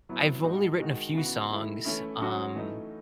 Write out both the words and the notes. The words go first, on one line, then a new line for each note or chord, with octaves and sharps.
I've only written a few songs. Um,
A2 F#3 B3 E4
A2 G#3 D#4 F#4
D#3 G#3 D#4 F#4
C#3 E3 B3 F#4
D#3 A3 E4
E3 A3 C#4 E4
F#3 C#4 F#4
E3 A3 D#4